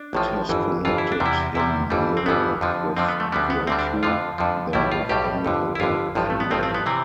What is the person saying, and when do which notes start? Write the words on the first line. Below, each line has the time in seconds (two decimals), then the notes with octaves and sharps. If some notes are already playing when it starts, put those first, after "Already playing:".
It has connected him nearer with virtue than with any other feeling.
Already playing: D4
0.13 A1 A2 F3
0.49 G1 F2 E3
0.85 G1 F2 E3 F4
0.98 E4
1.12 D4
1.20 E2 C3 G3
1.26 E4
1.55 E2 C3 G3 E4
1.90 G1 F2 E3 G3
2.17 C4
2.26 G1 F2 E3 G3 B3
2.61 F2 D3 F3
2.97 F2 D3 F3 C4
3.09 B3
3.20 A3
3.32 D2 D3 G3 B3
3.50 B3
3.67 D2 D3 G3 C4
3.79 D4
4.03 F2 D3 F3 F4
4.38 F2 D3 F3
4.73 B1 A2 G3 E4
4.92 F4
5.09 B1 A2 G3 G4
5.44 G1 F2 D3
5.75 E4
5.80 G1 F2 D3 F4
6.15 A1 G2 F3
6.30 A3
6.40 B3
6.50 A1 G2 F3 C4
6.63 C4
6.74 B3
6.86 C3 E3 C4